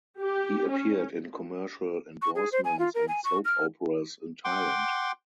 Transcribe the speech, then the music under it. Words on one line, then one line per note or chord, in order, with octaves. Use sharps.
He appeared in commercial endorsements and soap operas in Thailand.
G4
C#4
C#6
G#4
C5
G#5
F4
A#4
G#5
C#6
F6
F#5 G5 C6 D6